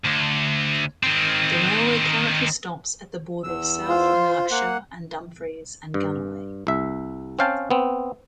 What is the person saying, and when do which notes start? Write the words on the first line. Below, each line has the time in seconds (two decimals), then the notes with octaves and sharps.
The railway currently stops at the border of South Lanarkshire and Dumfries and Galloway.
0.05 D2
1.03 D#3 C4
3.44 E2 E6
3.88 F4 C5
4.51 A#3 F#5
5.94 G2
6.67 C2 E5
7.39 C4 C#4 F5 G5 A5
7.71 B3 C4